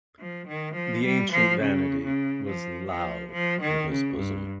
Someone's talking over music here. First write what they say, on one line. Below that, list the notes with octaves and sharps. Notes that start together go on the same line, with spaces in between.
The ancient vanity was loud in his bosom.
F3
D#3
F3
G3
F3
C#3
C#3
F3
F3
F3
D#3
C#3
G2